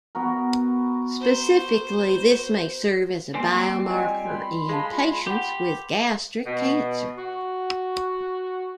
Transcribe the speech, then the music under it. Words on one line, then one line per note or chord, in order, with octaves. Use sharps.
Specifically, this may serve as a biomarker in patients with gastric cancer.
B3 F#4 A#4
C5
G3 A#3 C4 A#4 G#5 C6
F4 D#5 G#5 A#5
B5 C6
G#3 G#4 F5 A5
G4 F#5 A#5
B2
F#4